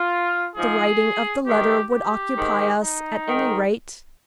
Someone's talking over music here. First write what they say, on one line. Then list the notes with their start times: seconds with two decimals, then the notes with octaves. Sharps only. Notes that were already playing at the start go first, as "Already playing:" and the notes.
The writing of the letter would occupy us, at any rate.
Already playing: F4
0.56 G#2 F3 G#4
1.46 G#2 D#3 G4
1.91 G4
2.36 G#2 D#3
2.81 D#4
3.26 G#2 D#3